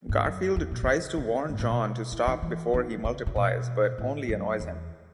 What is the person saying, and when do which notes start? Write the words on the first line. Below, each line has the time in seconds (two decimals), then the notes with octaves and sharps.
Garfield tries to warn Jon to stop before he multiplies, but only annoys him.
0.09 G#2
0.25 F#2
0.56 E2
0.72 B2
0.83 D#3
0.87 C#3
1.18 C#3
1.49 G#2
1.59 A2
1.70 B2
2.12 E3
2.27 D#3
2.42 E3
2.74 D#3
3.05 C#3
3.26 C#3
3.36 B2
3.98 A2
4.29 F#2
4.60 E2